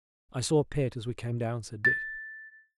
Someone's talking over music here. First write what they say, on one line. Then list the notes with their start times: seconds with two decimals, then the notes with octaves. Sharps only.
"I saw a pit as we came down," said Dick.
1.85 A6